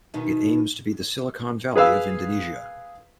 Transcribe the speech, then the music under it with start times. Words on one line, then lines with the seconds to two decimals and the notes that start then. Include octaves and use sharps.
It aims to be the Silicon Valley of Indonesia.
0.14 B2 D#3 D#4
1.76 G#4 B4 F5 E6